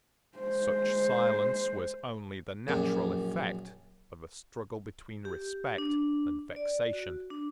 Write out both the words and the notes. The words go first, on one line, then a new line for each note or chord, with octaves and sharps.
Such silence was only the natural effect of a struggle between respect and vexation.
G#3 C5
A#1 F#2
G4
D4
D5
F#4
D4